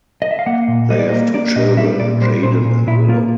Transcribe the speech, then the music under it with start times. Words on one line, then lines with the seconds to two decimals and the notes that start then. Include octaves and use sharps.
They have two children, Jaden and Willow.
0.22 D#5
0.31 E5
0.39 F5
0.46 A#3 F#5
0.68 A#2
0.90 G3 D#5
0.99 D5
1.09 D#5
1.13 A#3
1.34 A#3 D5
1.56 A#2 D#5
1.77 G3 E5
2.00 A#2 D5
2.21 G3 C5
2.43 A#2 C5
2.65 A#2
2.87 A#2 E4
3.09 A#3 F4